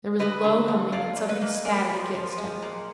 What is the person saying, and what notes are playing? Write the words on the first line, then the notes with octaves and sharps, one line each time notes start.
There was a low humming and something spatted against him.
D3 B4 D#5
D3
F3
A#3 D5 F5
A#3
B4 D#5
A#3
G#3 A#4 D5
F3
F3
G#3
A#2